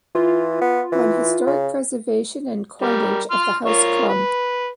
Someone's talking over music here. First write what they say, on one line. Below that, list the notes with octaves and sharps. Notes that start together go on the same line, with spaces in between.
On Historic Preservation and Coinage of the House Comm.
E3 F4
B3
E3
C#3
G3 A#4
C6 F6
F4 A#4 C#5
B4